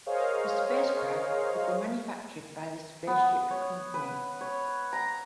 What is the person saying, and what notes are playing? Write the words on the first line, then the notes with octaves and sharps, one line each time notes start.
The spacecraft would be manufactured by The Spaceship Company.
G#4 A#4 C5 C#5 D#5 F5
B3
C#5
B4
C#5
A#5